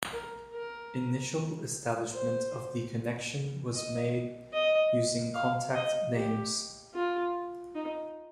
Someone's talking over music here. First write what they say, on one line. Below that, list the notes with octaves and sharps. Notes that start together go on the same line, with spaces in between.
Initial establishment of the connection was made using contact names.
A#4
A#4
C5
D#5
D#5
F5
D#5
G4
F4
D#4